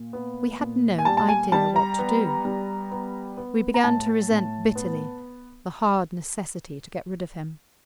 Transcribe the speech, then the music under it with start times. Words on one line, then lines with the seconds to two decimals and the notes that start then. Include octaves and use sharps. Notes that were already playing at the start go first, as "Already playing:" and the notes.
We had no idea what to do; we began to resent bitterly the hard necessity to get rid of him.
Already playing: A#2
0.13 B3
0.60 A#2
0.99 G#5
1.05 G3 A5
1.17 A5
1.29 G#5
1.52 G3 A5
1.76 A#5
1.99 B3
2.45 G3
2.91 B3
3.37 B3
3.74 A#5
3.84 A2 A5
4.30 A2
4.75 B3